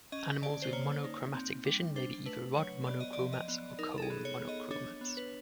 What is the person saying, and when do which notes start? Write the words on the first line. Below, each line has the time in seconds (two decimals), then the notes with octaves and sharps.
Animals with monochromatic vision may be either rod monochromats or cone monochromats.
0.12 C#4 D#5
0.42 D3 D5
0.62 C5
0.73 A#3 C#5
1.04 D#4
1.34 C4
1.65 G3
1.96 D4 C5
2.26 A3 B4
2.57 F#3 C#5
2.87 B3 D5
3.00 D#5
3.13 D5
3.18 F3
3.33 D#5
3.48 B3
3.79 D#4 A#4
3.98 A4
4.02 G#4
4.10 B3
4.25 C#5
4.41 B3
4.49 D#5
4.71 D4 C#5
5.01 B3
5.17 B4